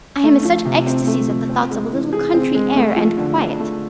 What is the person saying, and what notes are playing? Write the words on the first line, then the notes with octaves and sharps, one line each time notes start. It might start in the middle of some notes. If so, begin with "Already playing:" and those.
I am in such ecstasies at the thoughts of a little country air and quiet!
A3
F3
C3
C4
A3
F3
C4
G#3
E3
G#4
C4
G#3
A3
F3
D3
D4
A3